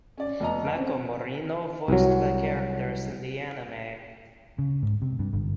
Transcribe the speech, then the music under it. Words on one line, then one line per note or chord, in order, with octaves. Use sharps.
Mako Morino voiced the characters in the anime.
C#4 D5
F1 B3 D#5 A#5
C4 C#4
C2 F#3
C#3
G#2
C3
G2
G1